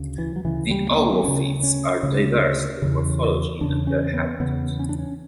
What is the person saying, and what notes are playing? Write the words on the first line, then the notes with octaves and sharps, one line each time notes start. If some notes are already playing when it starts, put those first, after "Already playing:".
The Ulvophytes are diverse in their morphology and their habitat.
Already playing: D2 C#3
E3
F#3
D2 C#3 E3
G3
B3
A#3
B3
D2 C#3 C#4
C#4
D2 C#3
E2 C#3
E2 C#3 D4
C#4
B3
E2 C#3 B3
C#4
D4
C#4